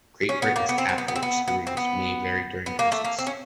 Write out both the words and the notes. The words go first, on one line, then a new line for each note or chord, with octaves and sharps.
Great Britain capital’s experience may vary during Christmas.
C#4
B3
A#3
B3
C4
C4
B3
B3
C4
B3
B3
C4
B3
B3
A#3
A3
A#3
C4
C#4